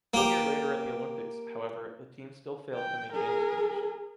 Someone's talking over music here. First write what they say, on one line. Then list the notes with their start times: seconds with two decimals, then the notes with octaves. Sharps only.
One year later at the Olympics, however, the team still failed to maintain its position.
0.14 A#3 G4
2.74 G5
3.13 G#4 A#4